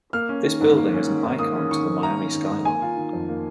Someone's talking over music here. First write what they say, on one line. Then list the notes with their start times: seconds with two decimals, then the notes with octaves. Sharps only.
This building is an icon to the Miami skyline.
0.13 A#3 F6
0.29 C#4
0.45 D#3
0.61 G#2
0.77 A#3
0.93 C#4
1.08 D#3
1.24 G#2
1.39 A#3 D#6
1.55 C#4
1.71 D#3 C#6
1.87 G#2
2.02 A#3 A#5
2.18 C#4
2.34 D#3
2.49 G#2
2.65 A#3 G#5
2.82 F4
2.97 D#3
3.13 F2
3.28 A#3